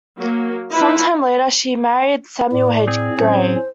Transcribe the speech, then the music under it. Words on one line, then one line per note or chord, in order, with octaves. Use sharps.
Sometime later, she married Samuel H. Gray.
F#3 A#3
E4 F4 B4
A2 D5
C4 G#4
A2 F#3 C#4 C5